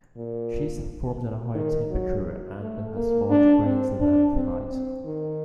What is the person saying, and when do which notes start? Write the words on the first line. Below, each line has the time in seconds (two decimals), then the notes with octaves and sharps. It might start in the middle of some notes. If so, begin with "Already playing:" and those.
Schist forms at a higher temperature and has larger grains than phyllite.
0.17 A#2
1.55 D#3
1.91 F#3
2.61 A3
2.95 A#3
3.30 D4
3.64 C4
3.99 D4
4.34 C4
4.70 C4
5.05 D#3